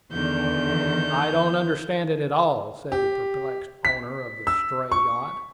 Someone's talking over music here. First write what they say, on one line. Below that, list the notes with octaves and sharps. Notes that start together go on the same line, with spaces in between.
"I don't understand it at all," said the perplexed owner of the stray yacht.
E2 D3 D#3 G6
G4
B6
E6
C#6